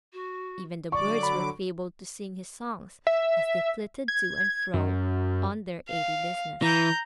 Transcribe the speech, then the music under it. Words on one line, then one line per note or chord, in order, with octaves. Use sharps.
Even the birds were fabled to sing his songs, as they flitted to and fro on their airy business.
F#4
D3 F#3 D5 C#6 D6
B5
E5
G#6
F#2
F5
E3 A#5 G6